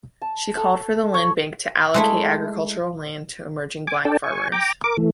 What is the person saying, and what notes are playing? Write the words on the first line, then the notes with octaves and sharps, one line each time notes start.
She called for the Land Bank to allocate agricultural land to emerging black farmers.
A5
A4
C#5
G#3 A3 E4
G#5 D6
D4 A4 D5 G5 A5
G#5 C#6
G5 A#5 D6
A#4 D6
E3 A3